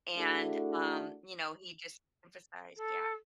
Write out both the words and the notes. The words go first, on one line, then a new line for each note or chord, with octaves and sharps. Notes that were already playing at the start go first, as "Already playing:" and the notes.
And, um, you know, he just emphasized" yeah.
A3 D4 E4 F#4 G#4 A4
A4